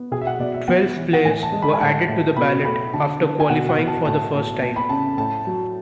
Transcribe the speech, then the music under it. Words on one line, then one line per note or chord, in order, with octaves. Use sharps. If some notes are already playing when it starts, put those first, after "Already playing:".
Twelve players were added to the ballot after qualifying for the first time.
Already playing: B3
B2 G#4
E5
F#5
B2 D5
E5
B3 F#5
E3
F#5
A2 G#5
A5
G#3
B5
G#5
A2 A5
A2
B2 B5
A3 B5
D3 A5
D3
G#5
B2 F#5
F#5
B2
A5
A2 A5
A2
B3 A5
B5
C#3 A5
A2 A5
F#3